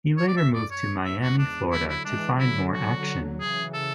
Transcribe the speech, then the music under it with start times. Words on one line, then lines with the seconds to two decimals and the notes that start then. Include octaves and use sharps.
He later moved to Miami, Florida, to find more action.
0.18 C#5
0.28 D5
0.37 F#2 E5
0.54 D5
0.71 C#5
1.04 E2 G#2 E5
1.22 F#4
1.38 D4
1.71 D3 F#3 E4
1.89 E4
2.05 E3 G#3 D4
2.39 D3 F#3 E4
2.73 F#4
3.40 C#3 E3 G#4
3.74 A4